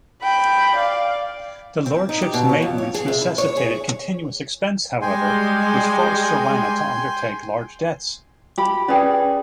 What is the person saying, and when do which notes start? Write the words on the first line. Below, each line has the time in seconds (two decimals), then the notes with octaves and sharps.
The lordship's maintenance necessitated continuous expense, however, which forced Joanna to undertake large debts.
0.22 G5 B5
0.76 D5 F5
1.86 C4
2.09 D#4
2.22 G4
2.34 B2
2.49 C#5
2.62 F2
2.78 C#5
2.94 G#4
3.08 C3
3.21 E4
3.38 C#5
3.57 G#4
5.02 G3 G#3 G5 G#5 C6
8.58 G4 B5
8.88 C#4 G#4 B4 D5 G5